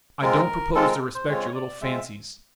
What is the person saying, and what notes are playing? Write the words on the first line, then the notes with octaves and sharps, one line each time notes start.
I don't propose to respect your little fancies.
G#3 C4 F4 A#4
G#3 C4 F4 A4
A#4
C5
G#3 C4 F4 C#5
D5
G#3 C4 F4 E5